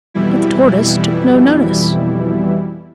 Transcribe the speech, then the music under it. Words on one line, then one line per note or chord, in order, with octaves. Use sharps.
But the tortoise took no notice.
F2 B2 E3 G3 E4